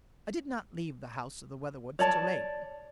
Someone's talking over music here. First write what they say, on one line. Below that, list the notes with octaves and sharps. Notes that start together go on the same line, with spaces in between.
I did not leave the house of the Weatherwoods till late.
C#5 D5 A5